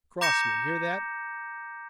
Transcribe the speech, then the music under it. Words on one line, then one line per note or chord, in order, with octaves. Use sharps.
Crossman! hear that?
A#5 D6 G6 A#6 C#7 E7